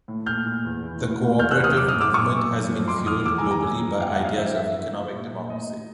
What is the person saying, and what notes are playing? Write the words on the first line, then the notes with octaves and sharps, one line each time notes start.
The cooperative movement has been fueled globally by ideas of economic democracy.
A2
A#2 F6 G6
A#2
E2
E3
A2
A2
E2 F6 G6
E6 F#6
E2
D#6 F6
F#2 D6 E6
D#6 F6
F#2
D6 E6
A#2 C#6 D#6
A#2
F#2
F3
F2 C6 D6
E3 D#6 F6
E2 D6 E6
G#5 A#5
D#3
G#5 A#5
F#2
F3
F2 F5 G5
E5 F#5
F3
D#5 F5
F#2 E5
E3 E5
G2
F3
A#2
A#2
A2 D#5
A2